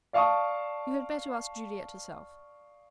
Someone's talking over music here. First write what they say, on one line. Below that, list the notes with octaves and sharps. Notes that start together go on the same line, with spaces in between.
You had better ask Juliet herself.
D5 F5 A5 C#6 D#6